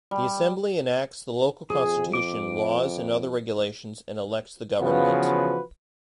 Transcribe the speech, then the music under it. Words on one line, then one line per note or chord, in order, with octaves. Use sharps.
The Assembly enacts the local Constitution, laws and other regulations and elects the Government.
G3
F2 G#4
D6
C#3 E3 F3 B3 F#4 B4